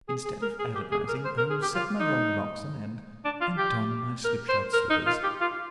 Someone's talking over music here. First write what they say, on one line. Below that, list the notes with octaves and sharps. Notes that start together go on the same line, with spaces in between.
Instead of Adonizing, I will set my long locks on end, and don my slipshod slippers.
G#4
G#4
A#4
G#4
G4
G#4
A#4
C5
A#4
G#4
G4
F4
D#4
D4
F4
G4
A#4
C5
A#4
D#4
F4
G4
F4